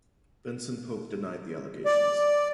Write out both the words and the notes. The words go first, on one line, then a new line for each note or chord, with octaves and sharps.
Benson-Pope denied the allegations.
D5